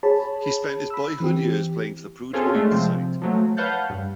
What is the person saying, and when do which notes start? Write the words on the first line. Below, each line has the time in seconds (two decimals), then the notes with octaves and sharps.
He spent his boyhood years playing for the Prudhoe youth side.
0.03 G#4 C#5 A5 B5
0.90 B5 E6
1.20 E3 C4 G4
2.33 C4 C#4 F4 G#4 A4
2.54 G#3 A3 D4 F4
2.71 C3 F3 C4
3.22 F3 F#3 A3
3.57 B4 C#5 F5 F#5 A5 G6
3.90 G2